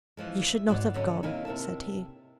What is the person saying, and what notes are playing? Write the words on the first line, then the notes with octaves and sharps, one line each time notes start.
"You should not have gone," said he.
C3 E3 F3 G#3
E5
G#2 B2 F#4 B4 D5
D3 F#3 C#4 D#4 E4
C3 D#3 A#3 D#4 E4 G#5
C3 A#4 E5 A5